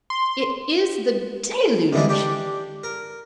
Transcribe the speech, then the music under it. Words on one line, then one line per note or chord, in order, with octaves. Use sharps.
"It is the deluge!"
C6
D3 E3 G3 G#3 D4
D4 G4
A#4